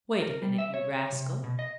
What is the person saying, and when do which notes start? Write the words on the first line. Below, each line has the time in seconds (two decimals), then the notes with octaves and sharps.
Wait a minute, you rascal!
0.22 A#4
0.42 G3
0.58 E5
0.74 C#5
1.12 C3
1.44 B2
1.59 D#5